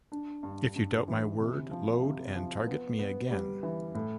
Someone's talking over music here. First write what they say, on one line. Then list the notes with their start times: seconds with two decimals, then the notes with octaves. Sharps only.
If you doubt my word, load and target me again.
0.12 D4
0.43 G2
0.76 G2
1.08 E3
1.39 C3
1.71 F3
2.03 C3
2.35 F3
2.67 B3
2.99 B3
3.30 G3
3.63 E3
3.95 A2